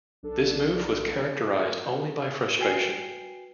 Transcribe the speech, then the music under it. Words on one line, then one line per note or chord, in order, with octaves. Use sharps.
This move was characterised only by frustration.
B1 D4 A4
F#4 B4 G5 G#5 C7